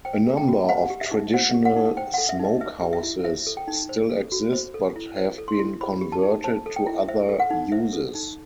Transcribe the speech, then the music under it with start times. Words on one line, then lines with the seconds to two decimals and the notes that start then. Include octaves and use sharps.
A number of traditional smokehouses still exist but have been converted to other uses.
0.05 C5 G5
0.27 A4
0.37 G5
0.48 F#4
0.69 C5 F#5
0.90 G4
1.01 E5
1.11 D#4
1.34 C5 F#5
1.54 G4
1.65 F#5
1.76 D#4
1.97 C5 G5
2.14 A4 F#5
2.29 E5
2.39 D#4
2.45 D#5
2.61 B4 E5
2.82 G4
2.93 E5
3.03 E4
3.25 C5 E5
3.47 A4
3.57 G5
3.68 D#4
3.89 C5
4.09 A4
4.32 F#4
4.53 C5
4.74 A4
4.96 E4
5.17 C5
5.38 A4
5.48 C6
5.59 E4
5.81 C5 B5
6.01 G4
6.12 A5
6.23 D#4
6.44 C5 A5
6.66 A4
6.76 G5
6.87 E4
7.08 C5 E5
7.29 A4
7.40 F#5
7.50 D#4
7.72 C5 E5
7.93 A4
8.15 D#4